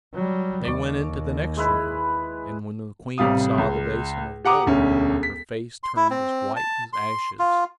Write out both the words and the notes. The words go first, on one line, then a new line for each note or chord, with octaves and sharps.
They went into the next room, and when the queen saw the basin of gold her face turned as white as ashes.
F#3 G3
D#2 D5 C#6
G#3 E4 B4
A1 C3 G3 F5 D#6
C#2
G4 F#5 A#5 D6 D#6
E1 D2 C#4
B6
C6
E4
C4
A5
C6
F4